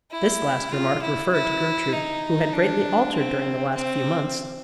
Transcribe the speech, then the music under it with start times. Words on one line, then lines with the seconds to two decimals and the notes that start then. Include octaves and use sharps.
This last remark referred to Gertrude, who had greatly altered during the last few months.
0.11 E4
0.72 F4
1.02 E4
1.32 E4
1.93 D#4
2.53 D4
3.14 C4
3.74 C4